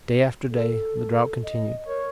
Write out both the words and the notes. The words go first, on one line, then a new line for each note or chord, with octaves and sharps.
Day after day the drought continued.
A4
D#5
A#4 C#5